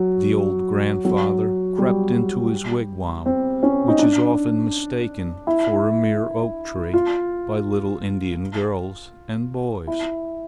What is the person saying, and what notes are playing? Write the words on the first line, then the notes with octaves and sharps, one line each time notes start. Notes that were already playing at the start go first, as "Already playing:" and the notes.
The old grandfather crept into his wigwam, which is often mistaken for a mere oak tree by little Indian girls and boys.
Already playing: F#3
F#3
G3
C4
C#4
D#4
D4
E4
F4
E4